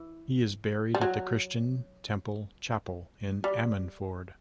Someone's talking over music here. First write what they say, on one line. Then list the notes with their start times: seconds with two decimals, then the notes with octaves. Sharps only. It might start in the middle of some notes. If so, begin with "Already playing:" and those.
He is buried at the Christian Temple chapel in Ammanford.
Already playing: E3
0.95 G3
1.01 F#3
3.44 G3